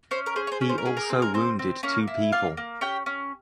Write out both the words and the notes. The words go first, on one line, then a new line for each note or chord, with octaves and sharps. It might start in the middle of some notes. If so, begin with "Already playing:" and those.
He also wounded two people.
C#4 C5
A#4
G#4 C5
C#5
C5
C#4
C5
A#4
G#4
A#4
C4
A#4
C4 C5
C4
A#3 C#4 C#5
E4
A#3 F4 F5
A#3
C#4 G4 G5
C#4